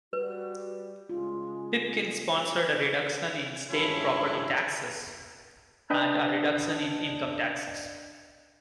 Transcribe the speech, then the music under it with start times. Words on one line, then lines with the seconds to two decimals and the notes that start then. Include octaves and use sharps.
Pipkin sponsored a reduction in state property taxes and a reduction in income taxes.
0.13 G3 F#4 B4
1.09 C#3 G#3 F4
3.71 G2 F3 G#3 C#4 E4
5.90 D4 B4 D#5 G5